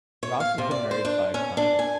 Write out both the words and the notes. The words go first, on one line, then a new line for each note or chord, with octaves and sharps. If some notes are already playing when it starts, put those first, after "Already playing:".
Ross has been married five times.
C#5
F5
C3
D5
C5
D4
C#4
D4
G#5